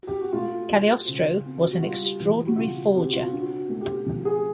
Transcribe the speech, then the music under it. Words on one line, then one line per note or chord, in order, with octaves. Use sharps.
Cagliostro was an extraordinary forger.
G4
F#4
A3 F4
F#3
C#3
C4
F#4
G3 F4
E3
F#4
C#3 F4
C4 G4
F4
D4 F#4
A3
G4
F3
G#4